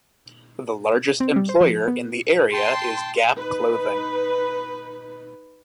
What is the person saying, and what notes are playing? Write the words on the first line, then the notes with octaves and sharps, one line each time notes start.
The largest employer in the area is Gap Clothing.
C4
G3
C5
F3
B3
G5 A5 C6
D#4 B4